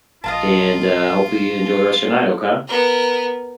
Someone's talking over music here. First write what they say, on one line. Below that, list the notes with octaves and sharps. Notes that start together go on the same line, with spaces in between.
and, uh, hopefully you enjoy the rest of your night, okay?
A#1 F4 D#5 F5 A5
B3 A#4